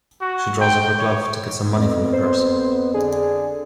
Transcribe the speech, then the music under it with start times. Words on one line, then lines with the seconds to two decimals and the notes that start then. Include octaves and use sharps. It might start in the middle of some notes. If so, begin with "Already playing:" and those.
She draws off her glove to get some money from her purse.
0.21 F#4
0.61 G5
0.98 C#5
1.71 F2 B3
2.13 C5
2.94 D3 G#4